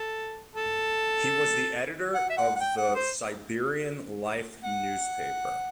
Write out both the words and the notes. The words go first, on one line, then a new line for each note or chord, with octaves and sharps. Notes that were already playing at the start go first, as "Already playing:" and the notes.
He was the editor of the "Siberian Life" newspaper.
Already playing: A4
A4
F#5
E5
F#5
F#5
G5
F#5
C5
F#5